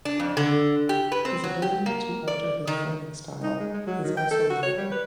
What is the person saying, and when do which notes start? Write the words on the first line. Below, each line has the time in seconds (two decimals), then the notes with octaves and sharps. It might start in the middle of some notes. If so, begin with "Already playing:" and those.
His ability to alter his fighting style is also novel.
0.05 D4
0.20 F2
0.37 D3
0.89 G4
1.12 B4
1.25 C4
1.44 F#3
1.62 G4
1.86 A#3
2.28 D5
2.67 D#3
3.43 D#4
3.60 G#3
3.74 G#3
3.87 F#3
4.04 D#3
4.17 G5
4.31 A4
4.50 F#4
4.63 C#5
4.77 G3
4.92 B4